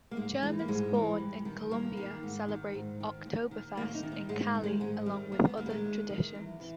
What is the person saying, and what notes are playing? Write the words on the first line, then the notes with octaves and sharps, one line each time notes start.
Germans born in Colombia celebrate Oktoberfest in Cali along with other traditions.
A#3
G#2 G#3
E3 G#3
A#3
G#2 G#3
E3
G2
D#3
G2 A#3
D#3
G#2
D#3
G#2
D#3
D#2
D#3
D#2 A#3
D#4
D#3
D#4
G#2 G#3
D#3
G#3
G#2 G#3
D#3 G3
D#2 A#3
B3
D#3 A#3
G3
G#3
D#2
D#3
E2
E3